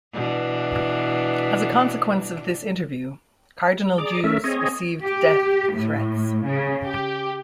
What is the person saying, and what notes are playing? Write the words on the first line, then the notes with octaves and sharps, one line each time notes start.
As a consequence of this interview, Cardinal Joos received death threats.
B2 E3 D4
G#4 D5 A#5 D6
A3 C#4 A4 A#4 E5
C4 G#4 C#5 D#5
G4
A2
C#3
G4